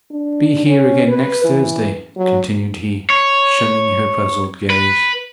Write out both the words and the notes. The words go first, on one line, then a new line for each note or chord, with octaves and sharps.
'And be here again next Thursday,' continued he, shunning her puzzled gaze.
D4
C#4
B4
E3
F#3
C#5
B4